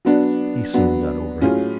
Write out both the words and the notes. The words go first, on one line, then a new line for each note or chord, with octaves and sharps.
He soon got over it.
F#3 B3 D4
F#3 B3 D4
A2 F#3 C#4 F4 G#4